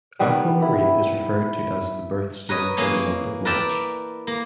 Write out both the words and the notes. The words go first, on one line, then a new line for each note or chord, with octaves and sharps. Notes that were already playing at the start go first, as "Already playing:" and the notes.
Aquamarine is referred to as the birth stone for the month of March.
D#3 G3 B3
E4
A#4 B4 C#5 D#5
E3 A#3 G#4 C#5
A#4 B4 D5 E5 G5 A5
A#3